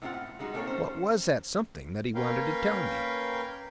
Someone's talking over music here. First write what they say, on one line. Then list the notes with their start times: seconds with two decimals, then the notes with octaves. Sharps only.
What was that something that he wanted to tell me?
0.02 A2 D#3 C4 D#4 F4 F#5
0.14 A2
0.39 G3 G#3 D#4 F#4 G#4
0.54 A3 A#3 C4 A4 C#5
0.67 C#4 C5
2.15 A#3 C#4 A#4 B4 F5 G5